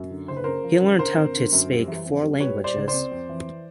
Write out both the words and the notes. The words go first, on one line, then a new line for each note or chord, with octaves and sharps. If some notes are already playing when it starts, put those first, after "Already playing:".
He learnt how to speak four languages.
Already playing: F#2
D3
F#1 C5
B4
C#3 A#4 C5
F3
C#3
D3 A#4 C5
G#1
D3
F#2
G3
E3
F2
G3
G3 B4 C#5
G3
C5 D5
C#2
C5 D5
C4
F2
E3